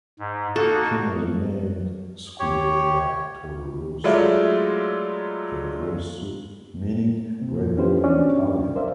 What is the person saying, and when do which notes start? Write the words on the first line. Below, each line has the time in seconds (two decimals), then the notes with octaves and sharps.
The team was renamed "Scuderia Toro Rosso", "Toro Rosso" meaning Red Bull in Italian.
0.19 G#2
0.56 A#3 D#4 F#4 A4
2.40 G4 C#5
4.04 F#3 G#3 A3 E4 F4 D5
7.41 C3 C4
7.57 A#2 F3 A#3
7.77 C#4 D4 E4 G4 B4 C5
8.03 C#4 D4 F#4 D5
8.75 A#4 C5 D5 E5 F5